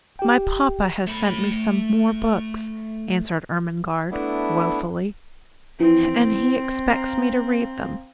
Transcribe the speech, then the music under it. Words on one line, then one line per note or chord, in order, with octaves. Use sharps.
"My papa has sent me some more books," answered Ermengarde woefully, "and he expects me to read them."
G4 G5
A3 B5
A3 B3 D4 E4
F2 E3 C4
F5 A#5